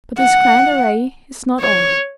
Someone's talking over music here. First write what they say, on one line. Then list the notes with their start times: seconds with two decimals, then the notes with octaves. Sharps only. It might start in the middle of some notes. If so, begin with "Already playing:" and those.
But this grand array is not all.
0.18 F#5
1.61 C#5